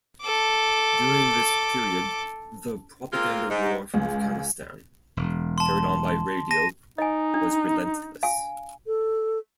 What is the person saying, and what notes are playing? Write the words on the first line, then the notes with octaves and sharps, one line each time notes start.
During this period, the propaganda war from Afghanistan, carried on by radio, was relentless.
A4 D6
G#3 A#3 C4 F4
G#2
C#2
E1
A5 C6
A5 A#6 D#7
D#4 D#5 G#5
D4
F5 G#5
A4